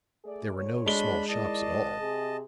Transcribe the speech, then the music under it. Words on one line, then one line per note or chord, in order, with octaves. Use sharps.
There were no small shops at all.
A3 G#4 D5
D2 C#5
G#3 D4 B5 G7
D#3 E4 D5 D#5 A5
C3 G#4